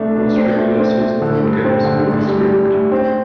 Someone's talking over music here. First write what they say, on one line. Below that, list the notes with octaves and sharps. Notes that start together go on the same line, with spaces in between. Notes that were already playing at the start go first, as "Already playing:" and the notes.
Most regular season road games will be streamed.
Already playing: C2 A3 D4
D4
C4
A3
C4
A3
D3
G2
C4
D3
A1
G3
G3
A2
C4